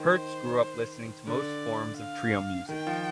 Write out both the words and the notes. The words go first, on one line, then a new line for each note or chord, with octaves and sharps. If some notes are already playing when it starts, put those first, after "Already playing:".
Hertz grew up listening to most forms of trio music.
Already playing: D#3 C5
D3 D5
F5
D#3 G5
F3